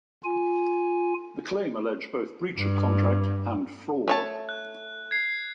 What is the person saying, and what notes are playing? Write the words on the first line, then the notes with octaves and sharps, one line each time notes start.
The claim alleged both breach of contract and fraud.
F4 G#5
G2
A3 C#5 A5
F#6
G#6 C7